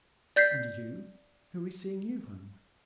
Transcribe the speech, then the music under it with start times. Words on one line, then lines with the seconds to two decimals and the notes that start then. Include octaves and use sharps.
"And you, who is seeing you home?"
0.36 D5 G6 B6 C7